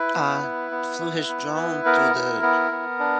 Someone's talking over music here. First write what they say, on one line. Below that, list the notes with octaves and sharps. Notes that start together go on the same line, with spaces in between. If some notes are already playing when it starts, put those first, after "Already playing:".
uh, flew his drone through the
Already playing: E4 B4
B3
E4
B3
E4
B3
E4
B3 A#4
E4
B3
B3
D4